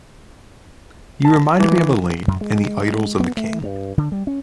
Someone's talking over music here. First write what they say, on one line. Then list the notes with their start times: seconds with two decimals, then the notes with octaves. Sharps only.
You remind me of Elaine in the ‘Idylls of the King’.
1.25 A5
1.59 E3
2.28 F#2
2.41 G#3
3.20 B3
3.37 A3
3.64 G2
3.98 D3
4.12 G3
4.27 C#4